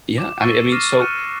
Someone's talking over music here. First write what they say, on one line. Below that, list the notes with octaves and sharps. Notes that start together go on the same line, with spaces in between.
Yeah, I mean I mean, so
D6 E7
C#6 E6 A6 C7 D#7
D6 F6 A#6 C7 D#7 E7
C#6 F6 F#6 A6 C#7 D#7